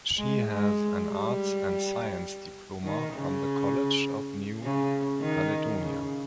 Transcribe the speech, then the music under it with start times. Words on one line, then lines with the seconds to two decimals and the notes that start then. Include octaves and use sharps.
She has an arts and sciences diploma from the College of New Caledonia.
0.18 G#3
0.48 G#3
1.06 G3
2.84 D#3
3.14 C#3
4.62 C#3
5.21 D#3
5.80 C#3